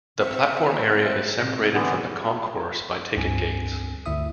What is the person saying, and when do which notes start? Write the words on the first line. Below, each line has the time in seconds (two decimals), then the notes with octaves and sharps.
The platform area is separated from the concourse by ticket gates.
0.19 C4 E5 C#7
1.39 A2 C3 A#6
1.74 D3 E3 B3
3.16 C#2 G2 C4 G#5
4.06 D2 E4 E5 D#6